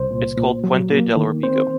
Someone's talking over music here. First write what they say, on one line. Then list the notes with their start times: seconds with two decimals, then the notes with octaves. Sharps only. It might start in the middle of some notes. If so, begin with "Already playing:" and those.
It's called Puente del Órbigo.
Already playing: C2 C5
0.11 A#2
0.38 A#2
0.64 F#3
0.90 A#3
1.17 D#3
1.43 C4 C5